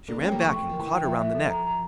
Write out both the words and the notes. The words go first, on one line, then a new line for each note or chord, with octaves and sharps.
She ran back, and caught her round the neck.
A#3 D4 A4
A3 C#4 G5
G3 A#3
F3 A3 C#6
G5
F3 A#4
E3
G5
F3 E5
E5
A4
A#5
A#5